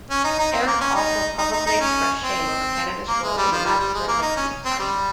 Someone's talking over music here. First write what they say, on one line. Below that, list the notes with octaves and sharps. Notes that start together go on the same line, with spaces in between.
Eric also publicly expressed shame over Canada's role in the massacres of East Timor.
C#4
D#4
D#4
C4
A#3
C#4
D#4
D#4
D#4
D#4
C#4
C4
A#3
G#3
G3
F3
G3
G3
G#3
A#3
D#4
C#4
C4
G3